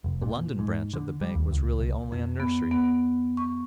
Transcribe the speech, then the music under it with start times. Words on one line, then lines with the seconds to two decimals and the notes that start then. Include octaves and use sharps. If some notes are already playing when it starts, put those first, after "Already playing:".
The London branch of the bank was really only a nursery.
0.04 F1
0.22 A#2
0.59 G#2
0.94 D3
1.21 G3
1.35 D#2
1.52 C#2
1.80 C2
2.12 F2
2.40 B3
2.71 B3
3.37 C#6